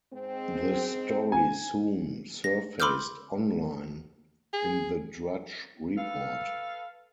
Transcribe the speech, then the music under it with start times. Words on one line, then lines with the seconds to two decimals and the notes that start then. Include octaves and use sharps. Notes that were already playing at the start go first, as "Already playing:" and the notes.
The story soon surfaced online in the Drudge Report.
0.13 G#2 G#3 C4
1.32 G#5
2.44 A#6
2.80 B5 C6 D6 E6 F6 G6
4.53 G#4
5.98 A4 B4 F5